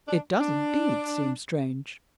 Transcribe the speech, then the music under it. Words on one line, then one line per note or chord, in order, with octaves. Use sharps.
"It does indeed seem strange."
D4
D4